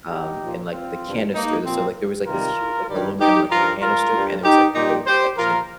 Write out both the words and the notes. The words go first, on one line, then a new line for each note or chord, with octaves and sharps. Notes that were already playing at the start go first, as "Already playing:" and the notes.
um, in, like, the canister, the so like, there was, like, this huge, like, aluminum like canister, and there was, like, these little sections.
D#4 G4
A#2 F3
C4 F4
G2 F3
A#3 D#4
A#2 F3 C4
C3 D#3 G3 F4 A#4
G2 D#3 G3
D#4 G4
G2 F3 F4 A#4
F4 A#4
G2 G3
D#4 G4
A#2 G3 D#4 G4
G4 C5
A#2 F3 F4 A#4